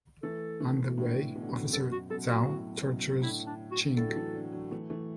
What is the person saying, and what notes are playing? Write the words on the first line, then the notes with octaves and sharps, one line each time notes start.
On the way, Officer Zau tortures Ching.
E3 A3 A4
E3 A3
A2 D3
B2
D3
F#2 B2
F#2 B2 A4
F#4
F#2 B2 A4
F#4
A2
F#2 B2
A2 D3 E4
D4
F#4
A2 D3 A4
F#3
E3 A3
D3 F#3
D3 F#3
E3 A3
E3 A3